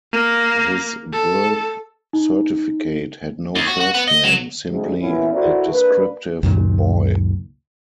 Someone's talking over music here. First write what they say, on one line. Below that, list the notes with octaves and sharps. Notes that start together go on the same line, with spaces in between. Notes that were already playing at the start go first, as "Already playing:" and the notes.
His birth certificate had no first name, simply the descriptive "Boy".
A#3
A4
D#4
D#2
F#4
F#4
B3
D#5
F#3
D2 G#2
A#2 E3 B3 C#4 E4
E4 F#4 A4 A#4 C5 D5
A#3 D4 B4
C#2 F#2 A#2 D#3